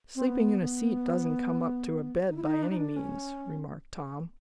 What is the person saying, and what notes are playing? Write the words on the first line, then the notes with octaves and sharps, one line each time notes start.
"Sleeping in a seat doesn't come up to a bed, by any means," remarked Tom.
C4
B3
B3
D#4
E4
D#4
D4
D#4
D4
C#4